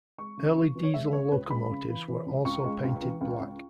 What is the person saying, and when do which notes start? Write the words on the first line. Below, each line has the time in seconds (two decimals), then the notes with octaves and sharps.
Early diesel locomotives were also painted black.
0.18 G#3 C#6
0.37 C#3
0.56 E3 C#6
0.75 E3
0.83 C#5
0.94 G#3 E5
1.13 C#3 C#5
1.32 C#2 B4
1.51 G#3 B5
1.70 C#3
1.88 E3
2.08 E3
2.26 C#2
2.45 C#2 C#6
2.64 G#3
2.83 C#2
3.02 E3
3.21 C#2
3.40 C#2